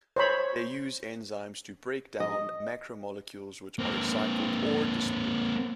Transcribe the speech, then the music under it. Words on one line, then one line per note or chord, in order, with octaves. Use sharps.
They use enzymes to break down macromolecules, which are recycled or disposed.
C5 C#5 B5
D#5
A#3 C4